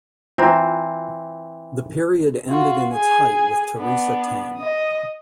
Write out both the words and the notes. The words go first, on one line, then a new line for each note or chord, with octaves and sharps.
The period ended in its height with Teresa Teng.
E3 C4 F4 C5 A#5
F4 F#4
G#4 G#5
B3 D4
D#5 D#6